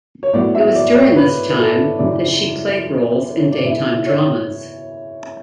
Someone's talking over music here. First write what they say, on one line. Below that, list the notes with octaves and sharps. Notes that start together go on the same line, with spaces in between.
It was during this time that she played roles in daytime dramas.
C#5
A2 F#3 B3 D5
E5
D5
C#5
B4
B4
A4
F#2 C#3 E3 D5
C#5
D5
C#3 E3 B3 E5
C#5